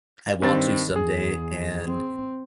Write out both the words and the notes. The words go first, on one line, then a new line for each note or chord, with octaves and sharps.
I want to someday, and
G2 D#3 C4 A6
E2 G#4
C4